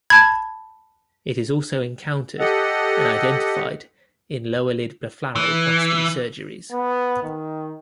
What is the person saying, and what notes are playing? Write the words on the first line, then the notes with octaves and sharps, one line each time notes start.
It is also encountered and identified in lower lid blepharoplasty surgeries.
A5 B5 G#6
G4 A4 D#5 F#5
E3
B3
D#3